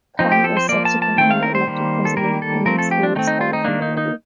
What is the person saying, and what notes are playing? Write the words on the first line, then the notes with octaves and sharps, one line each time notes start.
Kang is subsequently elected president and enslaves all of humanity.
F3 C4 D#4
G4
A4
C5
F3 A#3 D5
A5
A5
D#3 A3 C4 G5
F5
A#4
C5
D#3 G3 A#3
A4
D#3 G3 A#3 A#4
A4
F3 A3 C4 A#4
A4
G4
D4
D#3 A3 C4 D#4
D#4
F4
D#4
D#3 A#3 D4
D#4
D#4